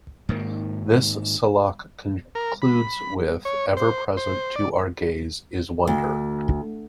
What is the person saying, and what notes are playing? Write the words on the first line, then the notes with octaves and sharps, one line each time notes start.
This salok concludes with: Ever present to our gaze is wonder.
G#2 D#3 A#3
A#4
B5
C#5
C5
C5
D5
D2